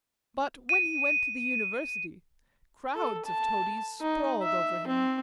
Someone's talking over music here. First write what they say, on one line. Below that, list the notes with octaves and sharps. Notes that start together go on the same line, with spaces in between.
But when he went to the University, crowds of toadies sprawled over him.
D#7
A4
A5
D#4
E5
C4